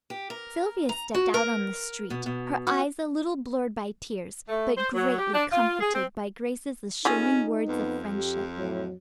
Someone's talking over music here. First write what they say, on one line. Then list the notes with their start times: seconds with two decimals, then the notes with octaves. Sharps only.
Sylvia stepped out on the street, her eyes a little blurred by tears, but greatly comforted by Grace's assuring words of friendship.
0.10 G4
0.30 A#4
0.89 A#5
1.15 F#4
1.34 A#4
2.10 B2
2.26 B2
2.67 F#4
4.49 A3
4.78 C5
4.94 F#3
5.19 G4
5.34 D4
5.51 F4
5.80 G#4
5.94 C4
7.05 A3 C#4 D#4 F4 G#4
7.68 F2 B3
8.14 G4
8.58 A2 F#3